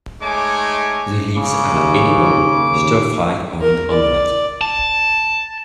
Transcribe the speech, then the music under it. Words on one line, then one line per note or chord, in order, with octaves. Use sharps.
The leaves are edible, stir-fried or in omelette.
G#3 A3 D#4 C#5 G#5 D6
C#3 D6
D#2
D#2
A#4
D5
A5